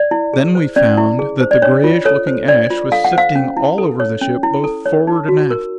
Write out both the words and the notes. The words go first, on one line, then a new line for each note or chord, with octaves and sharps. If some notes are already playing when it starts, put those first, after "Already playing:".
Then we found that the grayish-looking ash was sifting all over the ship, both forward and aft.
Already playing: D5
E4
G#4
C5
C#4 D5
E4
G#4
C5
D5
D4 C#5
F4
A4 C#5
C5
D4 D5
F4
A4 F5
F#5
C5 F5
C#4
E4
A4
C#5
C#4
E4
A4
C#5
D#4
F#4
A#4